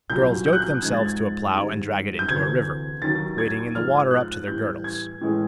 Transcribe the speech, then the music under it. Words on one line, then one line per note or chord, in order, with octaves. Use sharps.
Girls yoke themselves to a plough and drag it into a river, wading in the water up to their girdles.
C2 A#2 F#3 G6
G6
F#6
G6
G#2 F3 G#3 G#6
A6
G#6
G#2 D#3 G3
G6
D2 C3 E3 G#6
D#2 D#3 F#3 A6
G#6
G#2 F3 G#3 F6
F#6
A2 E3 G3 G6
G#6
A2 E3 G#3